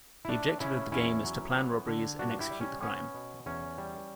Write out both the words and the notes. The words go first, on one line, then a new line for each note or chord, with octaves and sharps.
The objective of the game is to plan robberies and execute the crime.
E4
A3 D4
C#3 C#4 E4
E2 C#4 E4
F#3
B3
D3
G2 D4 F#4
E4 G4
G3
C#4
B3 C#4
B2
E2 C#4
G3